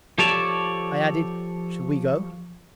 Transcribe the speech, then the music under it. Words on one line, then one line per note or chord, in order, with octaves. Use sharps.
I added, "Shall we go?"
F3 G4 A4 C#5 D5 A5